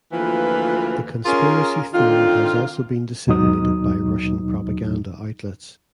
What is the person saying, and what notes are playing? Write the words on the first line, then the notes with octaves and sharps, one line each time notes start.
The conspiracy theory has also been disseminated by Russian propaganda outlets.
D2 E3 F3 A#3 F4 B4
C#4 F4 G#4 A#4
D3 D#3 C4 F4
D#2 B2 F#3 D#4 D#6